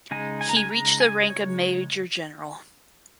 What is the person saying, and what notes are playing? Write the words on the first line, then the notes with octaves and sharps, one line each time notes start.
He reached the rank of Major General.
C#3 G#3 D#4 G#5
G#5
A#5
G#5
A#5
G#5
D#5
C#5